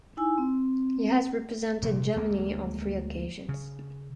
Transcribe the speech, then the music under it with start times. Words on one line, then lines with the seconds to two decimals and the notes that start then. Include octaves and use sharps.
He has represented Germany on three occasions.
0.17 D#4 E4 G#5 E6
0.38 C4
1.82 F1 A#2
2.16 D2 G#3 A#3
3.49 C#3